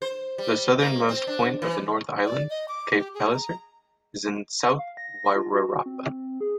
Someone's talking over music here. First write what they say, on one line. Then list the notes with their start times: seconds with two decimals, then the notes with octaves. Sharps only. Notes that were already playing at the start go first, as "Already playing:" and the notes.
The southernmost point of the North Island, Cape Palliser is in the South Wairarapa.
0.02 C5
0.38 G3
0.80 A#3
1.09 C4
1.27 D4
1.62 E3
2.25 D5
2.50 D#5
2.68 D6
2.98 G4
3.14 G#4
3.33 A#5
4.79 F5
4.97 A#6
5.35 F4
5.53 F#4
5.86 C4
6.41 G#4